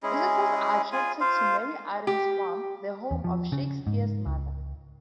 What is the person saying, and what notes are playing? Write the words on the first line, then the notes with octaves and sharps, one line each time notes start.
Visitors are attracted to Mary Arden's Farm, the home of Shakespeare's mother.
G#3 C#4 E4 G#4
F4 G#4 G#5
F4 C5 F5
G4
E2
F3
C#3
G#2
C#2